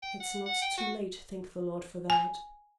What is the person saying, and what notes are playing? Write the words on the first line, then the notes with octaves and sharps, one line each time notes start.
It's not too late, thank the Lord for that!
G5
F#5
F#5
G5
F#4
G#5